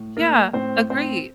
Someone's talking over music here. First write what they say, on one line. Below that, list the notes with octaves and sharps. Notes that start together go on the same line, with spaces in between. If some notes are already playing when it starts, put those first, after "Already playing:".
Yeah, agreed.
Already playing: A2
A#3 A#4
A2 C4 C5
C4 C5